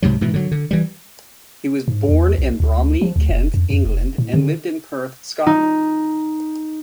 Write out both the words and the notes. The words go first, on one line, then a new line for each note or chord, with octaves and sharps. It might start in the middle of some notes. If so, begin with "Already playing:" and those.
He was born in Bromley, Kent, England and lived in Perth, Scotland.
C2 G#2 C3 F#3
G#2 B2 E3
D3 F#3
D3
E3 G3
G#2
E2
B1
D2
F3
D2
F1
F2
F2
F1
A2
D3
D#4